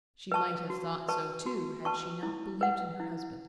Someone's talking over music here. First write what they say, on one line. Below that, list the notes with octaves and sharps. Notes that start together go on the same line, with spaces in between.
She might have thought so too, had she not believed in her husband.
B4 A5 C#6
F#4
B4 A5 C#6
F#4
B4 A5 C#6
E4
B4 F#5
E4